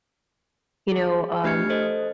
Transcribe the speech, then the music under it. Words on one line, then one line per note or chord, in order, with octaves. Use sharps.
you know, um,
G#4
A3 D4 G4 F6 G#6 C#7
A4 C5 D#5